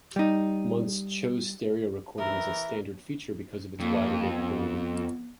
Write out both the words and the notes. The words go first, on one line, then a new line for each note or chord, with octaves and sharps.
Muntz chose stereo recording as a standard feature because of its wide availability.
G3 D#4
E3 A#4 E5
F2 A#3
B3